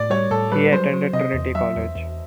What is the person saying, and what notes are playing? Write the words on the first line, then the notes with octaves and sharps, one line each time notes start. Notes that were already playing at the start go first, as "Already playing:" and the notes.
He attended Trinity College.
Already playing: A2 D5
G3 C#5
A2 A4
G3 B4
F#3 C5
F#3
C3 D#5
E2
F#3 E5
E2
E2